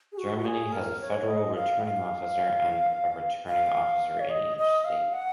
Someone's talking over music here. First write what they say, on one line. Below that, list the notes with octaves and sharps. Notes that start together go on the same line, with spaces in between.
Germany has a Federal Returning Officer and a returning officer in each State.
G#4
F#4
F#4
G#4
A#4
C#5
D#5
F5
F5
F5
C#5
D#5
D#5
F5
F#5